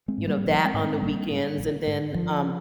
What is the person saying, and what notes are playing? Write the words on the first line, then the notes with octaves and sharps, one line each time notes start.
you know, that on the weekends, and then, um
G#3 C4
G#2
G3 A#3
A#1 F3 G#3
G#3 C4
G#2
G#3 C4
A#1 G3 A#3
G#2
A#1
G#2
G1 F3